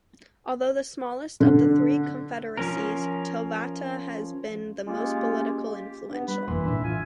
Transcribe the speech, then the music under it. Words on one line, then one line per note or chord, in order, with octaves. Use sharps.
Although the smallest of the three confederacies, Tovata has been the most politically influential.
D3
F3 C#4 A#4
G#3 A#3 C#4 F4 G4
G4
B3 D4 B4
G3 B4 B5
F2 E3 A3 A#3 C6
A#1 A2 D#3 D4 E4 E5
E3 F4 G#5